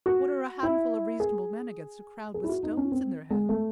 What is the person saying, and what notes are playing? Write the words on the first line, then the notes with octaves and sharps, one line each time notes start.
What are a handful of reasonable men against a crowd with stones in their hands?
F#4
E4
G#4
G#4
E4
F#4
D#4
C#4
C4
G#3
A3